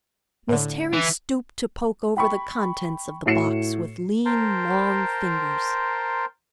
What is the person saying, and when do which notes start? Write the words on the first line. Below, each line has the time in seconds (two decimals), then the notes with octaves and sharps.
Miss Terry stooped to poke over the contents of the box with lean, long fingers.
0.49 A2 D3
0.93 E3
2.17 G5 B5 C#6
3.26 A2 F#4 C7 C#7 E7
4.26 A#4 C5 G5 A5 A#5 C6